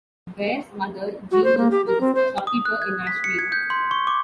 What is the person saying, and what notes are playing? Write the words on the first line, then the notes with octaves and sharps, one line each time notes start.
Bare's mother, Jeannie, was a shopkeeper in Nashville.
F#4
C5
A#3
G4
A#4
C4
C5
D#6
F#6
G#6
B6
C#7
G#6
G6
C6
C#6
D6